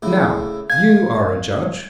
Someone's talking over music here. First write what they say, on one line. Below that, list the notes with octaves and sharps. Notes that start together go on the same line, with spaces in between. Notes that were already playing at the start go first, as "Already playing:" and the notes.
Now, you are a judge!
A2 C#3 E4
F5 G#5 G#6